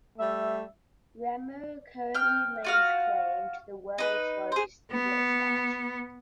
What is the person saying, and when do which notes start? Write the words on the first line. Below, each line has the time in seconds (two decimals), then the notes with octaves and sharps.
Remer currently lays claim to the World's Largest Eagle statue.
0.18 G3 A3 E5
2.14 G5 F6
2.64 F4 F#4 F5
3.98 D#4 B4
4.52 G#4 C5
4.92 B3